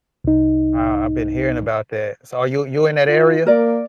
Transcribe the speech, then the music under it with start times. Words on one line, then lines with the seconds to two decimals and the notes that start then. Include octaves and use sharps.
Ah, I've been hearing about that. So, are you You're in that area?
0.24 C2 D#4
3.08 F4
3.46 A#3 A#4 D5